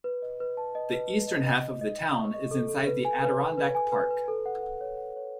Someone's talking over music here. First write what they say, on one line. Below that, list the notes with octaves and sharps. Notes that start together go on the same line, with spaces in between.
The eastern half of the town is inside the Adirondack Park.
B4
D#5
B4
A5
D#5
B4
B4
D#5
D#5
D#5
D#5
D#5
C#6
D#5
A4
A4
B4
G#5
B4
B4
B4
G#5
B4
B4
A4
F#5
F#5
C#5
F#5
C#5